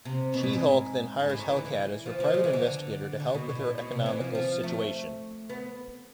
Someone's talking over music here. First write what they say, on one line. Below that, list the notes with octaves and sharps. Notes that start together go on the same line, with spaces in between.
She-Hulk then hires Hellcat as her private investigator to help with her economical situation.
C3
B2
A2
G#2
G#2
A2
G#2
E3
D3
E3
F3
F3
G#3
E3
D3
D3
B2
A2
B2
C3
E3
F3
F3
A3
B3